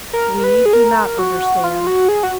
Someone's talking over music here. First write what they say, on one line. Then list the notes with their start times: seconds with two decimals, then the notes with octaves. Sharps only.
We do not understand.
0.13 A#4
0.44 B4
0.66 G#4
0.73 A#4
1.19 F#4
1.64 F4
1.87 F#4
2.09 G#4
2.23 F#4